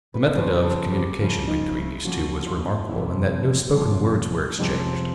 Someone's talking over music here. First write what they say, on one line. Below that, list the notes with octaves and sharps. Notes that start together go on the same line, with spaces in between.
The method of communication between these two was remarkable in that no spoken words were exchanged.
B4
C#3 F3 A#3 C#4 B4
A4
G4
C#3 F3 A#3 C#4 E4
D#4
E4
C#3 F3 A#3 C#4 F#4
F4
E4
F4
F2 C3 F3 G#3 C#4 E4
F2 C3 F3 G#3 C#4
F2 C3 F3 G#3 C#4 D#4